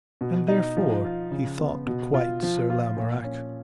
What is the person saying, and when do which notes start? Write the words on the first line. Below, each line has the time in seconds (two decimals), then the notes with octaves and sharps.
And therefore he thought to quite Sir Lamorak.
0.21 B2
0.48 D#4
0.77 F3
1.05 F4
1.31 C#3
1.59 B3
1.87 B2
2.14 F4
2.43 F3
2.70 F4
2.97 A#2
3.24 C#4